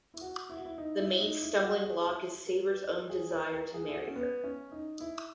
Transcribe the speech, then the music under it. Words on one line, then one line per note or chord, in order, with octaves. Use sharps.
The main stumbling block is Saber’s own desire to marry her.
E4
F#4
E4
F#4
E4
D#4
E4
D#4
E4
F#4
G#4
E4
A#4
B4
B4
A#4
G#4
A#4
A#4
G#4
E4
F#4
C#4
B3
C#4
D#4
E4